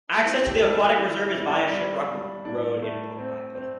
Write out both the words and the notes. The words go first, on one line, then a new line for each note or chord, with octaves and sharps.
Access to the aquatic reserve is via Shiprock Road in Port Hacking.
C4 E4
G4
G3 A4
G4
G3 E4
E4
G3
E4
D4
G3
G3
A2 D4
A3
C4
C4